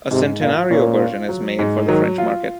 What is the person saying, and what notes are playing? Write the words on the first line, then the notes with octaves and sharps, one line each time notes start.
A centenario version is made for the French market.
G#2 C3
A#2 F4
A#2 C#4
F4
F#3
G#2
D#3 F#3
F4